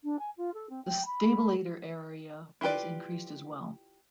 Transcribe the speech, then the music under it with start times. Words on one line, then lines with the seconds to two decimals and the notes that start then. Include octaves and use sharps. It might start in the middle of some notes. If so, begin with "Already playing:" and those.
The stabilator area was increased as well.
0.03 D4
0.19 G#5
0.37 F4
0.54 A4
0.69 C4
0.85 G5
1.05 B5
2.61 E4 F4 G4 B4 D5